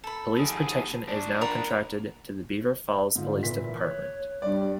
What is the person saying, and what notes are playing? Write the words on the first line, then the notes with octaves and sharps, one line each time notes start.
Police protection is now contracted to the Beaver Falls Police Department.
A4 B5
D#2 G#4
A#2 D4
A#4 F#5 B5
G#2 D3 F4
A#2 E3 B6
C#5 F#6
G2 G3 D5